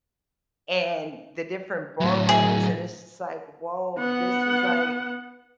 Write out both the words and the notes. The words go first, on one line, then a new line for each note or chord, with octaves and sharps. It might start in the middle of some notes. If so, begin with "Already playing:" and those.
and the different boroughs, and it's just like, "Woah, this is like
A2 F#3
G#4
B3 F#5